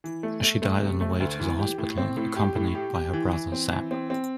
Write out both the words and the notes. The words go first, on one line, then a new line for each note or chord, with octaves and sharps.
She died on the way to the hospital accompanied by her brother Zab.
E3
A3
A3
A3
C3
A3
D2
E3
G4
A2
C4
A2
G4
A2
G4
G4
E3
E3
C4
E3
C4
C4